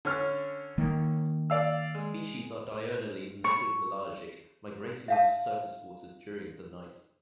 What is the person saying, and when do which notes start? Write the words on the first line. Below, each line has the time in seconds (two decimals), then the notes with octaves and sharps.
Species are diurnally mesopelagic, migrating into surface waters during the night.
0.05 D3 C#4 F6
0.78 D#3 A#3
1.50 D5 F5 E6
1.95 G#3
3.44 C#6
5.08 E5 F5 A5